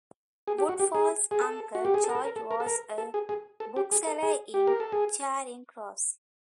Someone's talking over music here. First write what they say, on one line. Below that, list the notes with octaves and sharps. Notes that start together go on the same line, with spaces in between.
Woodfall's uncle George was a bookseller in Charing Cross.
G#4
G4
F#4
G4
G#4
G#4
A4
F#4
G4
G#4
A4
A#4
A4
A#4
A4
A#4
A4
A#4
A4
G#4
G#4
A4
G4
G#4
A4
G#4
G4
A#4
A4
G#4